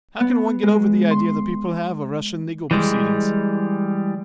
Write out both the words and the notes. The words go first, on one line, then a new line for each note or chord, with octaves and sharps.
How can one get over the idea the people have of Russian legal proceedings?
B3
G#3
C6
E3 G3 G#3